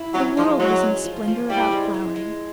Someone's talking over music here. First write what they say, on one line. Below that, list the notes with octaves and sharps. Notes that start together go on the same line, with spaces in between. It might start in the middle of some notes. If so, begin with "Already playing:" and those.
The world was in a splendor of out-flowering.
Already playing: E4
F#3 C#4
F3 G#3
F#3 C#4
C#4
F3
F3
G3 E4
G#3
G#3
G#3